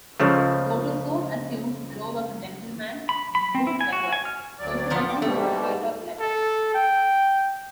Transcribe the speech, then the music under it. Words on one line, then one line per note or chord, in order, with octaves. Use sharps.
Doto soon assumed the role of a gentleman bootlegger, socializing with the theater elite.
C#2 C#3 F3 A3
B5
B5
C4
E4
G#5
F#4
G#5
F6
D2 F#3 D5
A#2 F3 B3
C4 D6
G#2 B2 G3 A3
A4
G5